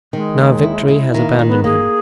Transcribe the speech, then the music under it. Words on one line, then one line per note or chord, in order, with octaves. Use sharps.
Now victory has abandoned him.
D#3 G#3
D#2
E4
E4
D#3 A#3
A#3
D#3
B3
A#3 G#4